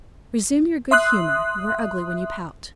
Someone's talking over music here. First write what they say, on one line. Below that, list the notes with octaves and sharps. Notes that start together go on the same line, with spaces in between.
"Resume your good-humor,--you are ugly when you pout."
E5 C6 D#6 F#6